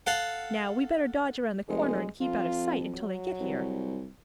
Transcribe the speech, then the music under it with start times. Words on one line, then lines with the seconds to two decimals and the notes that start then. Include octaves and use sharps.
Now we'd better dodge around the corner and keep out of sight until they get here.
0.07 A4 F5 F#5
1.69 F1 G#3
2.21 F2 F4
2.94 F#3
3.40 C2